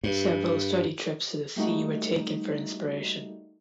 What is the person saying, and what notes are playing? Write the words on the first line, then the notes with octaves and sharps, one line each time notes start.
Several study trips to the sea were taken for inspiration.
G2
G3 A3 A#3 D#4 F#4